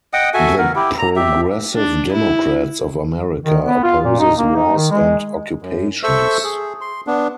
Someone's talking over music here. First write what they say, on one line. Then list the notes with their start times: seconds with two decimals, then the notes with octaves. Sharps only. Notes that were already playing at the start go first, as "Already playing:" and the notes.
The Progressive Democrats of America opposes wars and occupations.
0.13 D#5 F#5 G5 D#6
0.34 F#4 A4 E5 G#5
0.58 B3 A#4
0.75 E4 G4
0.98 A#5
1.16 G4 E5
1.75 D4
2.12 E4
3.46 D#3
3.65 B3
3.84 F4
4.05 A#2
4.19 D#4
4.39 A#3
4.56 D#4
4.76 D#3
4.91 G#3
5.62 F#2
6.03 A4 C5 E5 C#6 E6
6.44 G#4
6.81 C6
7.07 B3 D4